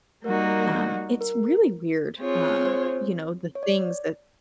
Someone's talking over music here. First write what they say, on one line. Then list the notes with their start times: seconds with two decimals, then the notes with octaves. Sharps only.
Um, it's really weird, uh, you know, the things that
0.24 G3 A#3 D#4 F#4 A#4
1.21 A#4
2.18 C4 F4 G#4 C#5
2.66 C5
3.55 C#5
3.63 D5